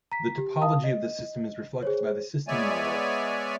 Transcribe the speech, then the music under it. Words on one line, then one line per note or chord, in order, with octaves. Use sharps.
The topology of the system is reflected by the "system model".
A#5 B6
G4
F5 A5 D#6
D#5
G#4 C5 C#5
G#3 B3 C#5 D5 E5 G#5